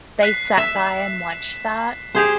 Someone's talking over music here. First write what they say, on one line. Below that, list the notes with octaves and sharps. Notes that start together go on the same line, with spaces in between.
they sat by and watched that,
F#6 B6 C7
E5 E7
G4 G#4 C5